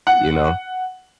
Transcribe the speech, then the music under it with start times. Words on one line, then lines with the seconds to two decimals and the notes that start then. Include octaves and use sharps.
you know?
0.07 F#5